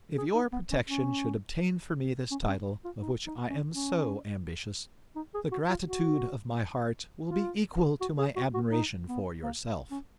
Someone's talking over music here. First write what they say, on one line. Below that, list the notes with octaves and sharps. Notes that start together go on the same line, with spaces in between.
If your protection should obtain for me this title, of which I am so ambitious, the gratitude of my heart will be equal to my admiration for yourself.
G#4
D#4
B3
C#4
C#4
C#4
C#4
F4
D#4
D#4
C#4
C#4
D#4
G#4
F#4
F4
F#4
F4
F#4
G#4
F#4
F#4
D#4
B3
A#3
C#4